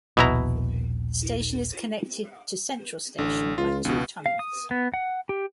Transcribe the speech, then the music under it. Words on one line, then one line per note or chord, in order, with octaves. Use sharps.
The station is connected to Central Station by two tunnels.
D#1 A#1 B2 E4 A#5
A1 D3
C#2 F4
E1 C#2 B2
F5
D#6
B3
F#5
G4